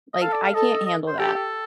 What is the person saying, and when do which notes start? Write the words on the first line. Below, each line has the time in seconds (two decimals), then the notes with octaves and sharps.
like, "I can't handle that."
0.14 D#5
0.22 A4 F5
0.33 D5
0.43 F5
0.54 A4 D#5
0.86 D#5
1.08 C5
1.19 G4 A4
1.35 A4